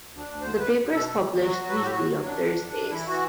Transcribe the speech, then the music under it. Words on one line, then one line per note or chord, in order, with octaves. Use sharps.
The paper is published weekly on Thursdays.
D2
D4
D2
D3 C5
F#2 B4
F#2
B2 A4
E2
E2
F#3 F#4
F#3
B4
A2 A4
G4
F#3 F#4
F#3
F#2 D4
D3
F#2
F#2
E3 E4
E3 F#4